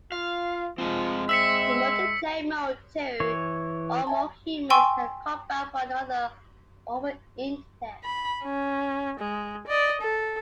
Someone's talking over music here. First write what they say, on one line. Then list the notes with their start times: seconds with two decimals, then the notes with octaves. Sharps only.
In Multiplayer mode two or more humans can combat one another over the Internet.
0.12 F4 F5
0.78 F3 G#3 C4 F4 G#5
1.29 C4 E5 E6 B6 C#7
3.20 E3 C#5
4.07 E5 G#5 A5
4.70 G5 G#5 C6 C#6 E6
8.04 B5
8.43 C#4
9.20 G#3
9.67 D5 D#5
10.01 A4